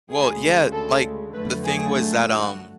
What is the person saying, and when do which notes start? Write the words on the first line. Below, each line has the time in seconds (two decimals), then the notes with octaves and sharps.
Well, yeah, like, the thing was that, um
0.09 D2 C#3 G#3 G#4
0.72 A4
1.34 F2 D3 F#3 A3 B4
1.65 G#4
2.27 F#4